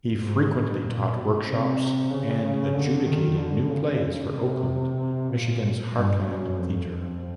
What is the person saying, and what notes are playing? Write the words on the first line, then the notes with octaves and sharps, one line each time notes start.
He frequently taught workshops and adjudicated new plays for Oakland, Michigan's Heartlande Theatre.
G#2
A2
A#2
B2
C3
C#3
C#3
D3
D#3
D3
C#3
C3
A#2
G2
F#2
F2
F2